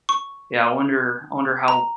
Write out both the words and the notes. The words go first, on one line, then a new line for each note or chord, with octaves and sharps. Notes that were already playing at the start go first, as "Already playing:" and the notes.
Yeah, I wonder I wonder how
C#6
A#5